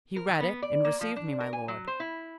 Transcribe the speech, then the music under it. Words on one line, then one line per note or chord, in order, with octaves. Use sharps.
"He read it, and received me, my lord."
A#4
E3
B3
D5
A#3
F3
D4
A#4
G#5
F#3
C5
E4